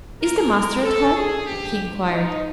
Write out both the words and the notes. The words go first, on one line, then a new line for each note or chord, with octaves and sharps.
"Is the master at home?" he inquired.
A1 A2 E3 G3 A#3 A#4
A#4
A4
G#4
A#1 G#2 E3 G4
D#4